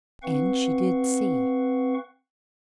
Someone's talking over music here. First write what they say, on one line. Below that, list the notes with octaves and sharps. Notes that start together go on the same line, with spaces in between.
And she did see.
C4 B4 F5 F#5 C#6